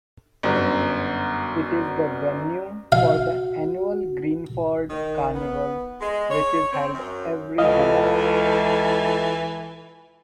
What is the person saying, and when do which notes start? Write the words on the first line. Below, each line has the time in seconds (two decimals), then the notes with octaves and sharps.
It is the venue for the annual Greenford Carnival, which is held every July.
0.43 G1 F#2
2.92 F#4 F5
4.89 D#3
5.34 B3
6.01 G#3
6.30 C#5
6.72 C4
6.94 F#2
7.58 C#2 E3 A4 D#5 F5